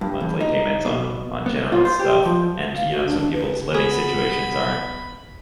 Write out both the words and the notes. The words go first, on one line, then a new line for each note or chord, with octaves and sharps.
monthly payments on on general stuff, and, you know, some people's living situations aren't
G2
E2
D#4
B2
B3
F4
C5
G4
F3
F5
F#4
D4
D4
B4
B3 G#4 B5